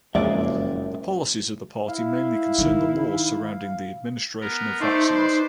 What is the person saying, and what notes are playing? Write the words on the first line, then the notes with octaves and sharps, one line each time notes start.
The policies of the party mainly concern the laws surrounding the administration of vaccines.
F#1 F2 A#2 C#3 G#3 D5 E5
E4 F5
D#3 D#4
B3 A#4
A3 D#4 C5 D5 C6
B4